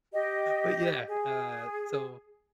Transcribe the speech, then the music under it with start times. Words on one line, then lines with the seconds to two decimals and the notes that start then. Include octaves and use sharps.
but yeah, uh, so,
0.13 G4 D#5
1.08 G#4